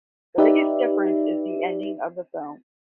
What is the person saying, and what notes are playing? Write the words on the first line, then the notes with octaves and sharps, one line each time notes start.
The biggest difference is the ending of the film.
D#4 G4 B4 D5 E5